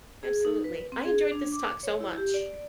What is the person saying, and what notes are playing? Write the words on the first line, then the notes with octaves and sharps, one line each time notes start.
Absolutely. I enjoyed this talk so much.
G#4
D#4
B4
C4
G#4
D4
D6
C#5
E4
G4
D5